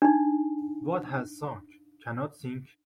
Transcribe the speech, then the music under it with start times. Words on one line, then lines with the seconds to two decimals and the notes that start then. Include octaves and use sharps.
What has sunk, cannot sink.
0.02 D4 D#4